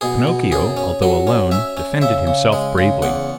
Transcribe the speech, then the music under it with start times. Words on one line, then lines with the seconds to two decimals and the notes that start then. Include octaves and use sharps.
Pinocchio, although alone, defended himself bravely.
0.01 B2 G#4
0.27 B2
0.52 F#2 G#4
0.77 C#4
1.02 F#3 F#4
1.27 C#4
1.51 C#4 E5
1.77 C#4
2.02 C#3 E5
2.27 C#3
2.52 G#3
2.78 C#3
3.02 E2 F#5